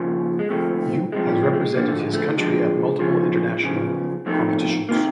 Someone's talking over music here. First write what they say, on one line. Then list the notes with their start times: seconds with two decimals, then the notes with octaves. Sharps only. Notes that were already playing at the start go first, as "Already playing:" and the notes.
Yu has represented his country at multiple international competitions.
Already playing: D#2 C#3 F3
0.39 G#3
0.49 D2 C3 F3 A3
1.12 D2 C3 F3 G#3
1.28 G3
1.43 G#3
1.53 A3
1.60 G#3
1.75 F2 D3 F3 A#3
1.88 A3
2.00 G#3
2.13 A3
2.37 F2 D3 F3 G#3
3.00 E2 C#3 F3
3.63 E2 C#3 F3
4.26 F2 C3 D#3 A3
4.89 C3 D#3 A#3